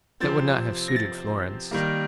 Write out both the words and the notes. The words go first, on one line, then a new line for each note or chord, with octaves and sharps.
That would not have suited Florence.
C3 F3 C4 A6
A#6
A6
D#3 G3 A#3